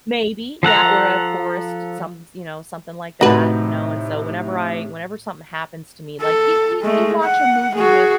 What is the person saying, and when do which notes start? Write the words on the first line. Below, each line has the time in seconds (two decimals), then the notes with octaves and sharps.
Maybe, yeah, or a forest, some s you know, something like that, you know, and so whenever I whenever something happens to me, like you you you watch a movie with
0.63 F3 A4 F#5 A#5
3.21 A2 C3 D#4 F#4 B4
6.20 A4
6.82 G#3 A3
7.23 F#5
7.75 F#4 G#4